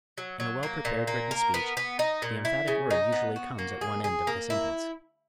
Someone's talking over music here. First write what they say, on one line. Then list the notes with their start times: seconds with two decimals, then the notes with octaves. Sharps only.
In a well-prepared written speech the emphatic word usually comes at one end of the sentence.
0.18 F#3
0.40 F#3
0.63 A#3
0.85 A#2
1.07 A#3
1.31 A#4
1.54 B3
1.77 B3
1.99 D#4
2.22 A#2
2.45 E4
2.68 C#3
2.91 D#4
3.13 B3
3.36 F#4
3.59 A#3
3.81 G#4
4.04 G#4
4.27 A#3
4.50 E4